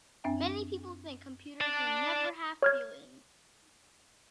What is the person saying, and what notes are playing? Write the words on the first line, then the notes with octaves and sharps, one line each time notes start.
Many people think computers will never have feelings.
F#2 C4 D4 E5 G#5
D5 A5
C#5 F6 G#6